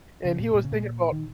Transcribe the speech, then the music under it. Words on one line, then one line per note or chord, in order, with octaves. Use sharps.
and he was thinking about
C#3
A#2
A#2
C#3
A#2
D#3